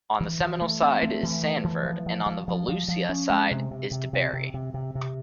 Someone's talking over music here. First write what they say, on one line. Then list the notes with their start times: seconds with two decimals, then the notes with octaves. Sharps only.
On the Seminole side is Sanford and on the Volusia side is DeBary.
0.20 E3
0.40 E3
0.62 A3
0.82 C4
1.03 A3
1.23 E3
1.43 A3
1.64 E3
1.85 F3
2.06 F3
2.26 F3
2.48 F3
2.68 F3
2.88 F3
3.09 C#4
3.30 G#3
3.51 C3
3.71 C3
3.91 C3
4.13 C3
4.33 C3
4.54 C3
4.74 C3
4.95 C3